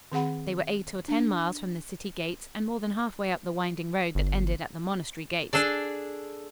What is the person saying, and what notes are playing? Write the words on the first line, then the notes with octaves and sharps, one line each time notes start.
They were eight or ten miles from the city gates and more than half way up the winding road that ended at the monastery gates.
D#3 C4 G#4 F#5 B5
D4
G1
D4 G#4 A4 D5